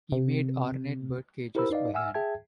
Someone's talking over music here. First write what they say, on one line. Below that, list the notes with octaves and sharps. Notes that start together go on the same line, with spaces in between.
He made ornate birdcages by hand.
C3
E4 G4 A#4 C5 B5 E6
D#4 B4 D5 D#5 F5
E5 F#5 G#5 E6 F6
G#4 E5 G5 A5 G#6